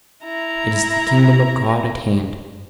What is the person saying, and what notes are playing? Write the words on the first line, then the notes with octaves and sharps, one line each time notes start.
It is the Kingdom of God at hand.
E4 A#5